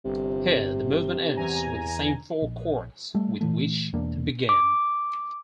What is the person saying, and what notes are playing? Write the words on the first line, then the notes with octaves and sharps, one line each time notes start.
Here, the movement ends with the same four chords with which it began.
G1 C3
E2 G#5 A#5
A#1
G3 A3
A#2 E3 A3
E1 E2 A#3 D4
D6